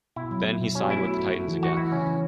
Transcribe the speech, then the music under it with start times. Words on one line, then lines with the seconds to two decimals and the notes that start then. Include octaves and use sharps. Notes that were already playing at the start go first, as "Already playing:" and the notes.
Then, he signed with the Titans again.
0.16 B2 E4
0.31 F#3
0.46 F#3
0.60 B2
0.75 C#4 F#4
0.90 A3 E4
1.04 F#4
1.18 F#4
1.34 A4
1.48 E3
1.63 E3 F#4
1.77 E3 E4
1.92 C#3 C#4
2.06 E3